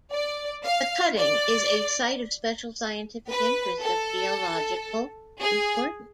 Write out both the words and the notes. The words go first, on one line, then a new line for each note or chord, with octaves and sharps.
The cutting is a Site of Special Scientific Interest of geological importance.
D5
F5
D5
B4
A4
G#4